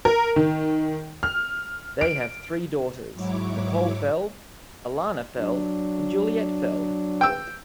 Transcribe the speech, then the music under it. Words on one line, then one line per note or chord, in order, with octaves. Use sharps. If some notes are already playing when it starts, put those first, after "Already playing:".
They have three daughters: Nicole Feld, Alana Feld, and Juliette Feld.
A#4
D#3
F6
D7
G#2 F#3 E4 C#5 D6
F#3 D4
G5 E6